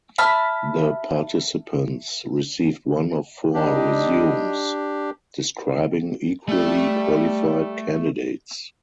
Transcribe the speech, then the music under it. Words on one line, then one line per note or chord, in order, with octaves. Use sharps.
The participants received one of four resumes describing equally qualified candidates.
E5 A5 B5 F6
G3 D4 D#4 G4 D#5
G3 A3 E5